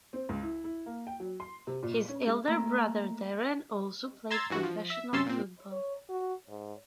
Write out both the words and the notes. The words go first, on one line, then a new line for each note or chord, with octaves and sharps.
His elder brother Darren also played professional football.
C4
C#2
E4
E4
A#3
G5
F#3
C6
C3
A#2
C#4
G#3
A3 A#3 A#5
A#5 C6 E6 G#6 A6
G2 E3 F#4
F3
E5
F#2 C3 C#4 C6 E6 A6
A#2 C4
C#5
F#4
G#2